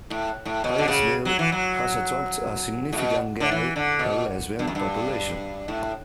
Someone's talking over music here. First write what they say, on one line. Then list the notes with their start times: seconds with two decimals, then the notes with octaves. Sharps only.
Hyattsville has attracted a significant gay and lesbian population.
0.10 A2
0.45 A2
0.64 B2
0.78 D3
0.88 C#3
1.25 F#3
1.39 E3
1.52 F#3
2.93 A2
2.98 B2
3.40 D3
3.52 E3
3.76 D3
3.99 B2
4.59 G2
4.67 F#2
4.75 G2
5.68 A2